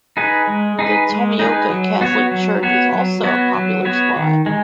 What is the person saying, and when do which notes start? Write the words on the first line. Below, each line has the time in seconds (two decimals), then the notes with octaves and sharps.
The Tomioka Catholic church is also a popular spot.
0.17 D#4 G#4 B4
0.47 G#3
0.79 D#4 G#4 B4
1.09 G#3
1.39 D#4 G#4 B4
1.70 F#3
2.01 B3 F#4 C#5
2.31 F#3
2.63 B3 F#4 C#5
2.92 F#3
3.24 B3 F#4 C#5
3.55 F#3
3.85 B3 F#4 C#5
4.16 D#3
4.46 G#3